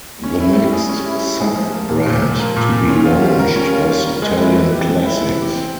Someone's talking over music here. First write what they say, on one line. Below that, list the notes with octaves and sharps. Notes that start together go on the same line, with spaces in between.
The next sub-brand to be launched was "Italian Classics".
C#4
E4
G3
G#4
C#4
E4
G3
G#4
F3
A#3
A#2
A#2
F3
A#3
A#2
A#2
C#4
F4
G3
A#4
C#4
F4
G3
A#4
G#3
E4
E3
G4
G#3
E4
E3
G4
C4